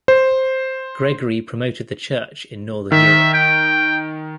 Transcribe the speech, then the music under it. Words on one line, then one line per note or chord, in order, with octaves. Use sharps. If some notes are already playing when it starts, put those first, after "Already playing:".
Gregory promoted the Church in northern Europe.
C5
D#3 E5
G5